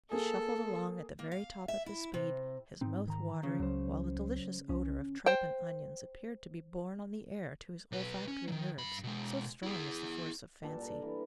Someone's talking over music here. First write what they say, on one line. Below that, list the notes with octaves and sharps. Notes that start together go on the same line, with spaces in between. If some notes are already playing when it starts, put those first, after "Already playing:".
He shuffled along at the very top of his speed, his mouth watering, while the delicious odour of tripe and onions appeared to be borne on the air to his olfactory nerves: so strong is the force of fancy.
A#3 G#4 A4
A#3
F5
E5
E4
C3
G#2 C4 D#4
D#3 A#5
C#3
C#2 F#3 C5
C2 C#4
C5 G5
B1 B4
C#4
D#3 F#3
G2 B5
B2 G#3
E4 G#4
G2 A#2 A5
A4 A#4
E3